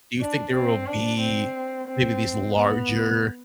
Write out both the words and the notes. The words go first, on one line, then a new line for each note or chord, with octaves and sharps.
do you think there will be maybe these larger
D4
C4
D4
C4
C4
B3